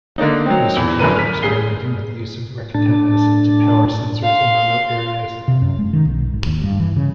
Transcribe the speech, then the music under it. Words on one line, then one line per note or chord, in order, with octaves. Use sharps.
Researchers are experimenting with the use of rectennas to power sensors in remote areas.
D3 A#3 D4 D#4
F#3 C4
E2
A#1 F#2 D3 A#4 B4 D#7
F6 B6
D#1 G#4 C7 G7
A2 D4 A5
F5 C6
C3
F#2
G#3
D#3
B1
G#1
D#2
G2
E3
C#3